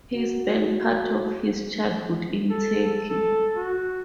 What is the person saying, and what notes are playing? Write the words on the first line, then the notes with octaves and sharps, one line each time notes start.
He spent part of his childhood in Turkey.
F#4
A4
A4
F#4